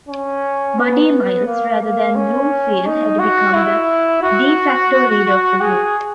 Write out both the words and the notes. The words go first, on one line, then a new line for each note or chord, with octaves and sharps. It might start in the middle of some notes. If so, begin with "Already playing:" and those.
Buddy Miles, rather than Bloomfield, had become the "de facto" leader of the group.
C#4
B3
A#3
A#3
C#4
D#4
F#4
E4
F#4
G#4